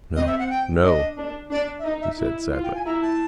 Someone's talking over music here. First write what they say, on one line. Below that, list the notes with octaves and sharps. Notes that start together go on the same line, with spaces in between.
"No, no," he said sadly.
C4 D#5
E5
F#5
G5
D4 D#5
D4
D4 D5
E5
D#4 D#5
E5
E4
F4
G5
G#5
E4 A#5
A5